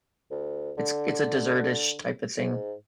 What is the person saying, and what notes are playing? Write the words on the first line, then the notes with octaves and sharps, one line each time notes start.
It's it's a dessert-ish type of thing.
D2
D3
G#2